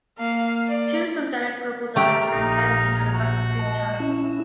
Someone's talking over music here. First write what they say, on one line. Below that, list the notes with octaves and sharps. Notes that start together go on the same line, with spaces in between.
Two synthetic purple dyes were invented at about the same time.
A#3 F5
D5
A3 G4 A#5 F6
A#1 D#4
F#4
D#5 A5
C#4 E4 E6